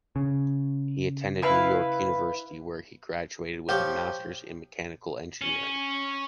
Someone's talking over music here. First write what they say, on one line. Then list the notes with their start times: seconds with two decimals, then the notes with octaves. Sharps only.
He attended Ney York university where he graduated with a Master in mechanical engineering.
0.16 C#3
1.42 E4 B4 F5
3.69 F3 G4 C#5 G5
5.42 C#4